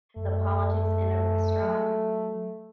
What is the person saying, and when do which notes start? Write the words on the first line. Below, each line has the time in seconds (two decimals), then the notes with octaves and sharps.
the politics in a restaurant,
0.16 F#2 A3
1.62 F#3